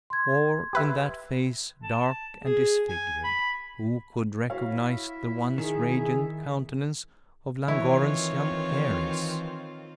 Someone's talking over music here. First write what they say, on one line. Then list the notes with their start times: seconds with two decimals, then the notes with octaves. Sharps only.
Or in that face, dark and disfigured, who could recognise the once radiant countenance of Llangorren's young heiress?
0.10 C6 G#6
0.73 G4 B4 E5
1.83 A5
2.44 G#4
2.88 G#5
3.24 B5
4.50 E4 F#4 C#5 E5 F5
5.58 D#3 G#4
7.68 D#3 E3 C4 E4 F4 C#5